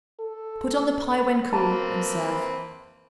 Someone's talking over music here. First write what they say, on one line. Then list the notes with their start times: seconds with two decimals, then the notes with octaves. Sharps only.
Put on the pie when cool and serve.
0.20 A4
1.53 A#3 C4 B4 A5